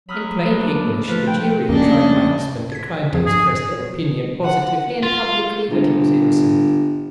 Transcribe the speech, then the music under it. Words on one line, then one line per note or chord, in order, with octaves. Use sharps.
In plain English, the Jury who tried my husband declined to express their opinion, positively and publicly, that he was innocent.
F#3 B5 D#6 F6
D#2
D4 A4
F3 A3 F4 B4
G5
F2 F3 A3 A#3 C#4 D4 D#5
G#6 B6
F2 F3 G#4
G2 G#4
F#5
F4
G1